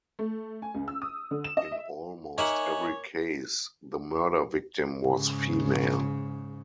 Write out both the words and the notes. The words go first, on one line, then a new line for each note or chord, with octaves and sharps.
In almost every case the murder victim was female.
A3
G#5
C#2
E6
D#6
D3
E7
D#5
E5
A#3 D#4 C#5 E5 F#5 G#5
G#2 C#3